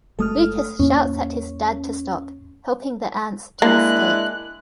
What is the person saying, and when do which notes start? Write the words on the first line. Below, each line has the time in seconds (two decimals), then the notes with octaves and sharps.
Lucas shouts at his dad to stop, helping the ants to escape.
0.19 F#1 G#3 A3 A4 D#6 F6
0.79 E2 A2 A#3 C#4
3.62 G#3 A#3 D4 E4 F#6